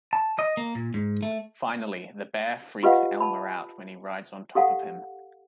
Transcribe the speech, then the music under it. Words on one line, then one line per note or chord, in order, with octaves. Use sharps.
Finally, the bear freaks Elmer out when he rides on top of him.
A5
D#5
A#3
A#2
G#2
A3
F4 G4 B4 D#5 F5 F#5
A5 B5
G4 A4 F5 F#5